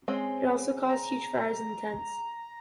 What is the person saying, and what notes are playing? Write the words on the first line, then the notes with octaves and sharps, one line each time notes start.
It also caused huge fires in the tents.
G#3 C4 C#4
A#5